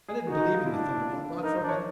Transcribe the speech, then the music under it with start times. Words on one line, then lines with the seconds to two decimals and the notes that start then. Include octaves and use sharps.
I didn't believe in the thunderbolt, not for a minute.
0.08 G#4
0.27 D#4 F#4
0.40 F#4
0.53 F4
0.65 D4 E4
1.05 F4
1.30 B4
1.43 D#4 A#4
1.55 C5
1.62 D4
1.69 C#5